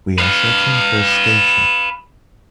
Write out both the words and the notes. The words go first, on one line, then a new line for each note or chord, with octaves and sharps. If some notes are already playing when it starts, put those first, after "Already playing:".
We are searching for a station.
B4 F5